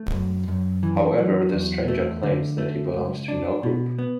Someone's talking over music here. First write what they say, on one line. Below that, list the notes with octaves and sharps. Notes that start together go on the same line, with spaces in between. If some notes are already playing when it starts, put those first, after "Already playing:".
However, the Stranger claims that he belongs to no group.
Already playing: A3
F#2
F#2
E3
F#3
E2
A3
D3
A3
C#2
D4
B2
B3